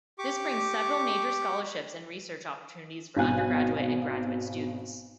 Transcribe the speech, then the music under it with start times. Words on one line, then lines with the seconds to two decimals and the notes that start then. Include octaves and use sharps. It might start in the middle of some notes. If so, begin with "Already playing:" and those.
This brings several major scholarships and research opportunities for undergraduate and graduate students.
0.19 G4 C#6 D6
3.17 G#1 B2 F5 G#5 F#6